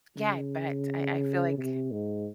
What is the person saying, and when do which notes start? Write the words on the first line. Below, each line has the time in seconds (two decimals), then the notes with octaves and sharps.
Yeah, I bet, I I feel like
0.17 C#3
1.57 C3
1.92 G#2